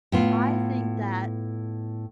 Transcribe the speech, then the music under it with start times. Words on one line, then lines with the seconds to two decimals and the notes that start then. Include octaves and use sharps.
I think that
0.12 A2 B3 F4